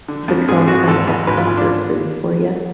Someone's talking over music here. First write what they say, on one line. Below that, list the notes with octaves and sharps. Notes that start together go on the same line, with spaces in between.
become kinda that comfort food for ya.
D3
F2
G#2 G#4
G#2 F#4
G#2 A4
G#2 B4
G#2 B4
F4
G#2
D4